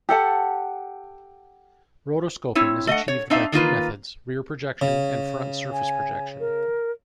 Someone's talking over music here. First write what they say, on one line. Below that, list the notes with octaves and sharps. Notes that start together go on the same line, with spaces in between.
Rotoscoping is achieved by two methods, rear projection and front surface projection.
G4 A4 F#5 A5
C4 E4 C#5
A3 D#5 E5 F#5
C#5
C4 D4 D#4 E5 F5
D#3 A#3 F4 B4
C#3
G#5
A#4